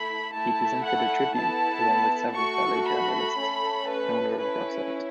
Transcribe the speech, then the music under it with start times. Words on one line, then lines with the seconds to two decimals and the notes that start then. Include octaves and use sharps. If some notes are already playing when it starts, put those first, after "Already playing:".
He presented a tribute, along with several fellow journalists, in honor of Russert.
Already playing: A3 E4 A4 B5
0.33 A3 E4 A4 A5
0.84 F#5
1.34 B3 E4 A4 A5
2.35 A3 F#4 A4 C#6
2.86 B5
3.36 A3 C#4 A4
3.88 B4
4.38 C#4 E4 A4 B4